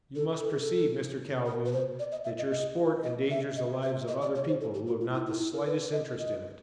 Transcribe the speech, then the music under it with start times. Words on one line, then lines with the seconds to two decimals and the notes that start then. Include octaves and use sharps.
You must perceive, Mr Calhoun, that your sport endangers the lives of other people, who have not the slightest interest in it.
0.15 A4
0.41 A4
0.51 G#4
0.60 A4
1.46 A#4
1.66 B4
1.73 C5
1.99 D5
2.12 D#5
2.24 E5
2.38 D#5
2.51 D#5
3.04 D#5
3.31 E5
3.57 D#5
3.83 E5
4.08 D#5
4.22 D5
4.35 C#5
4.48 C5
4.61 A4
4.74 G4
4.87 F#4
5.01 F4
5.14 E4
5.27 E4
5.39 E4
5.53 A#4
5.66 B4
5.92 D#5
6.19 D#5